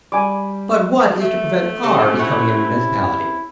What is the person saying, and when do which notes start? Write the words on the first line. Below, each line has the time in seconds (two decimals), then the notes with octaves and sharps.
"But what is to prevent our becoming a municipality?"
0.12 G3 G#5 D6
1.21 A3 E5
1.83 C3 C4 C#4 A4
2.18 E4 C#5 F#5 B5